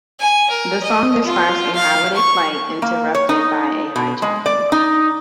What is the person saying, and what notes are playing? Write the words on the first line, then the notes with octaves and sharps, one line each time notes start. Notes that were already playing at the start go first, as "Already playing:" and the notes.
The song describes a holiday flight interrupted by a hijacking.
G#5
A#4
D#5
F4
F5
C#6
A#3
C#5
D#4
B2
G#3
D5
D#4